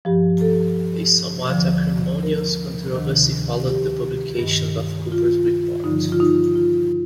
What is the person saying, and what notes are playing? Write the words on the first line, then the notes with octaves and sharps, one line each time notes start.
A somewhat acrimonious controversy followed the publication of Cooper's report.
G2 F3 G4
A4
D#2 D3 F3
A#4
D2 C3 D#3
G4
G2 D#3
F4
G2 D3 F3 D#4
F4
D#4
F4